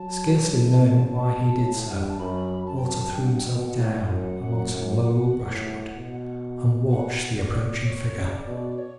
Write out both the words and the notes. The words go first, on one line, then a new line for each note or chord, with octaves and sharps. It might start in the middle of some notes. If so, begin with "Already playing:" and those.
Scarcely knowing why he did so, Walter threw himself down among some low brushwood and watched the approaching figure.
Already playing: F#3 A5
F#3
E3
C#3
B2
A2
E5
G2 F#5
G5
A5
F#2 B5
F#2 A5
G5
A5
G2 G5
F#5
G5
B2
F#5
A2
D5
E5
F#2 F#5
F#2
F#2
F#5
A2
B2
F#5
D5
C#5
C#3
D5
B2
D5
C#5